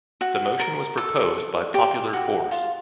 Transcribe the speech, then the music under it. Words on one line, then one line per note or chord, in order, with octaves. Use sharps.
The motion was proposed by Popular Force.
F#4
A#4
A4
G4
F#4
F4